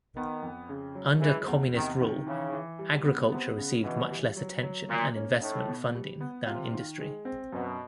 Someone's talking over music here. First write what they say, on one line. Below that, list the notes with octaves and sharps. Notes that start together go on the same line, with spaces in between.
Under communist rule, agriculture received much less attention and investment funding than industry.
D#3 B3
F2
C#3
F#3
E3 G#3
E2
C3 D#3
D#3
C#3 E3
E3
G3
B3
C3 B3
C#3
B2 E3
G3
F#3
F#3
A#2 A#3
C#4
A2 D#4
B2
G3
B3
C3 F4
D#3
G#3
C4
F#2 B2